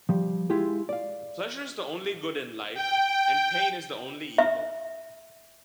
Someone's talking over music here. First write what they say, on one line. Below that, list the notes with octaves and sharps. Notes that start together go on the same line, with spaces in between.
Pleasure is the only good in life and pain is the only evil.
F3 G3
G#3 E4 F4 G4 G#4
D5 F5
G5
E5